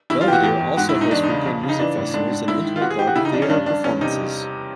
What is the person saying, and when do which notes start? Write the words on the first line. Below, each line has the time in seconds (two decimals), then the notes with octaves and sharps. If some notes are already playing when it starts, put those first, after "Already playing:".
Belvedere also hosts weekend music festivals, and intimate garden theatre performances.
0.10 E2 E4
0.21 F4
0.27 E3 G4
0.33 F#4
0.43 E2 G4
0.61 E2
0.77 G#2 F#4
0.89 E4
0.95 G#2
1.01 D#4
1.11 E2 D4
1.23 D#4
1.29 C#3
1.46 F2
1.63 C#3
1.69 D#4
1.79 E3 D4
1.97 A2
2.14 G#2 D4
2.31 G#2
2.48 G#2 E4
2.64 D#3
2.76 F4
2.81 E3 F#4
2.90 G#4
2.99 E3 G4
3.07 F#4
3.16 C#3 E4
3.25 D#4
3.33 F2 D4
3.42 C#4
3.50 G2 D4
3.66 G2 D4
3.84 E2 C#4
4.01 C3 D#4